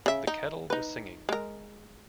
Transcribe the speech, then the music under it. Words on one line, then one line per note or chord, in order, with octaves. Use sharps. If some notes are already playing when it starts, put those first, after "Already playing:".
The kettle was singing.
C#3 E5
D#4
D#4 B4
G#3 A#4